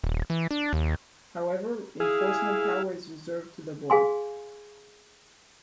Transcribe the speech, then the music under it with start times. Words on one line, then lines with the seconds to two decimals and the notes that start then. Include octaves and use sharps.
However, enforcement power is reserved to the Board.
0.04 D#1
0.30 E3
0.51 D4
0.73 D#2
2.00 E4 G#4 F5
3.90 G#4 F5 G#5 C6